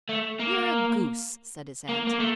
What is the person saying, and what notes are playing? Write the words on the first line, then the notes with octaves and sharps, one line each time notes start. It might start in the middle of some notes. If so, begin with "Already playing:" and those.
"You're a goose!" said his aunt.
A3
A#3
A#3
A#3
A3